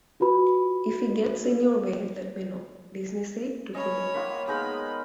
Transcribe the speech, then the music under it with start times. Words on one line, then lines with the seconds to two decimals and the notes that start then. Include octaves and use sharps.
"If he gets in your way, let me know", Disney said to Kinney.
0.20 F4 F#4 B4 B5
3.74 C#4 C#5 D#5 B5
4.14 D#3 A#3 F4 D#5 F#5 B5
4.48 G#3 B3 D#4 A#4 B5